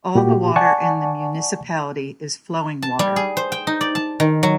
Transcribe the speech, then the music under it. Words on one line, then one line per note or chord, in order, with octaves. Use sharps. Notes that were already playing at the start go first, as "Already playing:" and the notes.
All the water in the municipality is flowing water.
A#2 F#4 G4
D5 F#5 G#5 A5 C#6
A5
G3
G#4
C5
G5
D#4
D5
A5
D#3
F#3